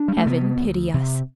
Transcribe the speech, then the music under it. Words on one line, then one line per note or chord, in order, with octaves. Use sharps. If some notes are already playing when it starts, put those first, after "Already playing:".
Heaven pity us!
Already playing: D4
G3
A3
C3 B3
D2
C3